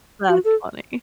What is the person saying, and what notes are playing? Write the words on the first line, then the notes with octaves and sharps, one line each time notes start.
That's funny.
F#4
A4